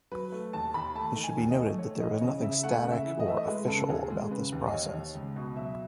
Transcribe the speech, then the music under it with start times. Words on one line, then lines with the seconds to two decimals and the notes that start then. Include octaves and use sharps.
It should be noted that there is nothing static or "official" about this process.
0.12 F#3 B4
0.32 A3
0.53 D#2 A5
0.74 D#2 B5
0.95 A3 A5
1.16 D#3
1.24 G#5
1.38 D#2
1.50 D#5
1.58 A3
1.78 A3 C#5
2.00 E3 D#5
2.14 C#5
2.21 C#3 D#5
2.42 C#3 E5
2.63 A3 F#5
2.84 C#3
2.90 E5
3.05 E3
3.20 D#5
3.26 A3 E5
3.37 D#5
3.46 G#3 B4
3.68 C#3 A4
3.80 A4
3.89 D#2 G#4
4.10 G#3
4.31 C#3 B4
4.52 D#2
4.67 D#5
4.73 D#2 C#5
4.94 D#2
5.15 C#2
5.36 B2
5.56 F#3 E5